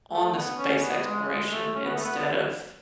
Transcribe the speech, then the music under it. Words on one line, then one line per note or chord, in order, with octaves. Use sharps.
on the space exploration instead of
A3
B3
C#4
B3
G#3
G#3
A3
C#4
B3
A3
B3